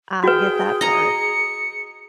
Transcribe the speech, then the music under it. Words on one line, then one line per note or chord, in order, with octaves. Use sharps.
I get that part.
F#4 G#4 B4 G5
D#5 A#5 C#7